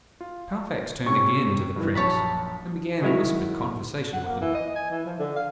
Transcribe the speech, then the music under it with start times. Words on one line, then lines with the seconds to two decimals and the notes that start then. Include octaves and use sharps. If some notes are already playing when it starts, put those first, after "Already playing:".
Carfax turned again to the Prince, and began a whispered conversation with him.
0.21 F4
1.06 C3 C#4 C#6 G#6
1.76 G2 D#3 E3
1.95 A#1 F#2 C#5 A5 B5
3.02 D#3 F#3 G#3 E4 F#4 C#5
4.13 F#5
4.28 A#3
4.41 E3
4.55 D#5
4.76 G#5
4.91 E3
5.06 F3
5.19 D3
5.36 F5